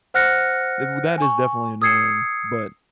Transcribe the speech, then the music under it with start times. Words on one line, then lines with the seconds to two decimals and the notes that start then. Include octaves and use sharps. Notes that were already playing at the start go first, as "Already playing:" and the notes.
w that is definitely annoying, but
0.14 C5 F#5 F6 F#6 A#6 C#7
1.18 G#5 C#6
1.82 D#6 E6 G#6 C7 C#7